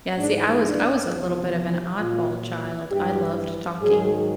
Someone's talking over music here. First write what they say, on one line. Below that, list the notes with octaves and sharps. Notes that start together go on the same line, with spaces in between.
Yeah, see, I was I was a little bit of an oddball child; I loved talking
G#2 E3 D4
D4
E2 C3 F3
A#2 F#3 F4
G2 E3 G4
G#2 D#3 F#3 G#4